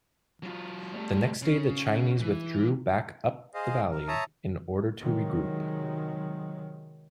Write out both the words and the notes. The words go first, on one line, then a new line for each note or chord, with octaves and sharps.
The next day the Chinese withdrew back up the valley, in order to regroup.
F#3 F4
G3 A3
C#3
E3
G#4 C5 D#5 F5
A#4
C#5 E5 A5 A#5 D#6
C3 D#3 F#3 G#3